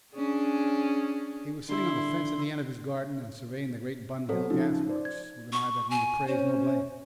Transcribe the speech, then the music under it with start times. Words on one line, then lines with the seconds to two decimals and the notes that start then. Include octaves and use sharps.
He was sitting on the fence at the end of his garden and surveying the great Bun Hill gas-works with an eye that neither praised nor blamed.
0.15 C#4 D4 G#4
1.69 D3 E4 C6
4.29 F#3 C4 A4 C5 C#5
4.50 C#3 F3 C#4 D#4
4.89 C5 D5
5.05 G#6
5.53 C#6
5.91 G#5
6.28 C#4 C5